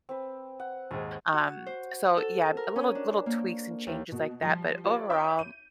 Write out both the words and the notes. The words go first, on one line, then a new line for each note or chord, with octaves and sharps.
Um, so, yeah, a little little tweaks and changes like that, but overall,
C4 B4
F#5
D#2 G#2 G#5
F#4
C5
A4
A#4
C#4
D4
A#3
D#2
B2 A#3 F#4
F3 G3
F4 G4 A#4 B4 C#5 D5
C#5 E5 B5 C#6 D6 G6
D#7